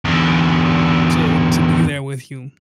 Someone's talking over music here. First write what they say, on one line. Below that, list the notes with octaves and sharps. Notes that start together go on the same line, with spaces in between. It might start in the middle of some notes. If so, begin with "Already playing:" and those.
to to be there with you
E2 D3